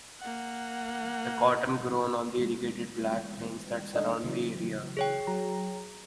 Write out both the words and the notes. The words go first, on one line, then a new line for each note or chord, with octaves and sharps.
The cotton is grown on the irrigated black plains that surround the area.
A#3 F#5
D4 D#4 A4
C#3 E3 F#3
G#4 C#5 G5
F#3 A#5